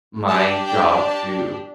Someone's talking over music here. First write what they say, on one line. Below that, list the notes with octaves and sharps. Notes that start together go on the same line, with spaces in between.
my job to
D4 G4 A5
G5
A5